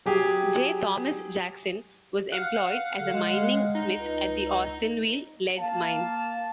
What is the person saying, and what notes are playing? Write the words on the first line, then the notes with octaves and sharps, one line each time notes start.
J Thomas Jackson was employed as a mining smith at the Austinville lead mine.
F#3 G4 G#4
F5 F#5
D3
G#3
D#4
C#2
A#3 F5 A5